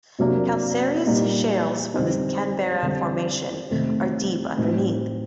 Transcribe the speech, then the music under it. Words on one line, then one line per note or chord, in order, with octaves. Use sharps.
Calcareous shales from the Canberra Formation are deep underneath.
C3 F#3 A#3 D4
A#2 G3 A#3 D#4
D3 G3 C4 D#4
D3 G3 C4
C3 D#3 A3 C4
A2 F#3 C4 D#4